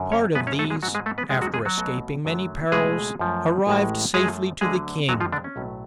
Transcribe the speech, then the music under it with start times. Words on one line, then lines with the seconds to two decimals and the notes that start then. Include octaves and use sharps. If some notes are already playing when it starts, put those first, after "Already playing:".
Part of these, after escaping many perils, arrived safely to the king.
Already playing: F#2 D3 F#3
0.12 C#4 C#5
0.35 F#2 C#3 F3 G#3 B3 B4
0.47 C#4 C#5
0.59 A3 A4
0.70 G#3 G#4
0.83 G#2 F#3 G#3 F#4
0.95 G#3 G#4
1.06 A3 A4
1.18 B3 B4
1.30 F2 D3 G#3 G#4
1.42 F#3 F#4
1.54 G#3 G#4
1.65 F#3 F#4
1.77 B1 B2 A3
2.25 F#2 D3 F#3 A3
2.72 C#2 B2 G#3 A3 G#4
3.19 F#2 F3 A3
3.67 A1 A2 G#3
4.14 F#2 F3 G#3 A3 G#4
4.61 D2 D3 F#3 G#3 G#4
5.09 F2 D3 F3 F#3 G#3 F#4
5.20 F3 F4
5.32 D3 D4
5.44 C#4
5.56 B1 A2 F#3 A3